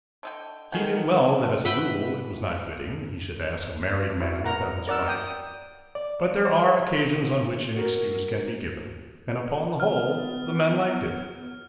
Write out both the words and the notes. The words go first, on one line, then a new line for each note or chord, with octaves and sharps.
He knew well that as a rule it was not fitting that he should ask a married man without his wife; but there are occasions on which an excuse can be given, and upon the whole the men liked it.
D3 D#5 G5
D#3 G#4 A4 B4 F#5 G5
B4 E5 F#5 G5
E4 F#4 D5
A#4 B4 F#5 A#5
A#4 D5 F#5 E6
G5 D#6
D5
C5
F#4 A#4
B3 F6